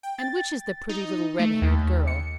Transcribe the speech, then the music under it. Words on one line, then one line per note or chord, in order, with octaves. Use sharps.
"And which is the pretty little red-haired girl?"
G5
A6
D#4
A3
D#2
C#7